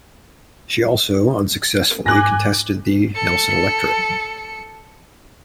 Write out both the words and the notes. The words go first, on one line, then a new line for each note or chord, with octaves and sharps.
She also unsuccessfully contested the Nelson electorate.
G#2 G#5 D6 F#6 A#6
A4 C#7